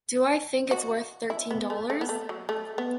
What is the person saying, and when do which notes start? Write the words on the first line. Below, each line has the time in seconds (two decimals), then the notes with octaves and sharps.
Do I think it's worth thirteen dollars?
0.71 F#4
1.30 E4
1.51 B3
1.70 A3
1.90 A3
2.01 B3
2.09 A3
2.29 F#3
2.49 A3
2.78 B3